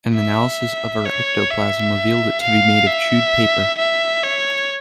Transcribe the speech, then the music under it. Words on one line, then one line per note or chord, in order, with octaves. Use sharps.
An analysis of her ectoplasm revealed it to be made of chewed paper.
E5
C#5
E5
F5
E5
E5
C#5